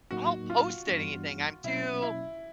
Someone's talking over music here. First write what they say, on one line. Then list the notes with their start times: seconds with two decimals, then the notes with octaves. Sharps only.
I don't post anything, I'm too
0.11 A2 F#3 A#3 D#4 F#4
0.50 F4
0.87 G2 E3 G3 B3 D4
1.64 B2 F#3 A#3 C#4 E4
2.02 E4